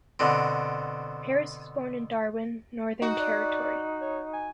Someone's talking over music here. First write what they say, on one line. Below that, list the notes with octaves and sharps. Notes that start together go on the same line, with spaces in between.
Peris was born in Darwin, Northern Territory.
B2 D3 C4
D#4 F#4
D5
C#5
G#5